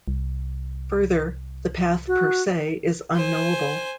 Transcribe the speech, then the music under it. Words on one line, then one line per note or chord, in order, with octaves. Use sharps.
Further, the path "per se" is unknowable.
C2
F#4
C5 G#5